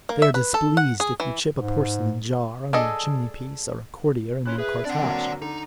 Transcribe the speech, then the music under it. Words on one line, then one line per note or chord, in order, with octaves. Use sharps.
They are displeased if you chip a porcelain jar on their chimney-piece or a courtier in their cortege.
A#3
E5
B4
A4
F#5
G#4
E3
G#2
D4 G#4 A4 D#5
C#4 E4 F4 F#6
E4 G#4 B4
C4 D4 D5 F#5
D2 F#3 A#3
D3 D#4